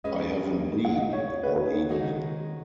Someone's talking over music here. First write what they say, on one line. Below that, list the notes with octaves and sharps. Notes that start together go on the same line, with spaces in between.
I haven't been, all evening.
G#3 C#4 G#4 B4 D#5
F#5
D#5
C#5
C#5
B4
G#4
D#3 G#3 D#4 F#4 G#4